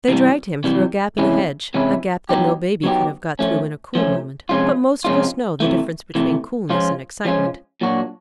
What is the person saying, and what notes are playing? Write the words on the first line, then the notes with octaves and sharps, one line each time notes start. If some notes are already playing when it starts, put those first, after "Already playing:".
They dragged him through a gap in the hedge, a gap that no baby could have got through in a cool moment; but most of us know the difference between coolness and excitement.
C3 E3 G3
C3 E3 G3
C3 E3 G#3 C#4 E4
C3 E3 G#3 C#4 E4
F#3 B3 D#4 G4
F#3 B3 D#4 G4
F3 A3 C#4
F3 A3 C#4
C3 F3 G#3 C#4 F4
C3 F3 G#3 C#4 F4
C3 E3 A3
C3 E3 A3
F3 G#3 C#4 F4
F3 G#3 C#4 F4
A#2 F#3 A#3 D4 F#4